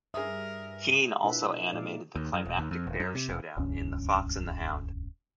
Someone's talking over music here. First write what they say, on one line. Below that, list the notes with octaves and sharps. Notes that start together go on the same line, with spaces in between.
Keane also animated the climactic bear showdown in "The Fox and the Hound".
G2 G#4 A#4 E5 D#6
B2 D4 E4 F4 B4 E5
A#2 G#3 D#4 D5 F5
D#2
F#2
E1
D#2
F2
D#1
F#2
C3
F1
D#1 C#2 G2 C#4